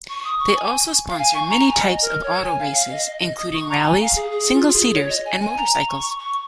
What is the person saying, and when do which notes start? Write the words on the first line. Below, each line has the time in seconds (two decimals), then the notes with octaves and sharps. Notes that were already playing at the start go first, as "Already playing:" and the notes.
They also sponsor many types of auto races including rallies, single-seaters, and motorcycles.
0.09 C#6
0.19 C#6
0.24 D#6
0.40 C#6
0.56 G#5
1.09 F5
1.18 G#5
1.34 C#6
1.50 A#5
1.66 G#5
1.81 D#5
2.02 A#4
2.23 C#5
2.43 G#5
2.59 F5
2.75 F5
2.91 D#5
3.07 D#5
3.22 D#5
3.37 D#6
3.53 C#6
3.69 A#5
3.84 G#5
4.01 F5
4.16 G#4
4.32 G#4
4.53 F4
4.68 F4
4.73 G#4
4.94 C#5
5.09 D#5
5.25 G#5
5.40 G#5
5.57 A#5
5.88 C#6
6.19 C#6